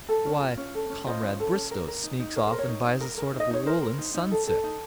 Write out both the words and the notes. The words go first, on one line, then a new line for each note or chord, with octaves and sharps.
Why, Comrade Bristow sneaks off and buys a sort of woollen sunset.
A4
C#4
F4
C#4
A4
C#4
F4 C5 D#5
C#4
A4
C#4
A#4
A#4
D#4
D#4
A#4 C#5
A#4 C5
C#5
D#4
D#4
A#4
A#4
D#4
D#5
D#4 C#5
A#4 C5
A#4
D#4
D#4
A4
A4
D#4